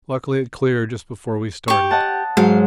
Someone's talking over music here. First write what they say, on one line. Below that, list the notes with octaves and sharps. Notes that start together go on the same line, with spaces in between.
Luckily it cleared just before we started.
G4 C#6
D#5 F#5 A5
G#2 F#3 G#3 F5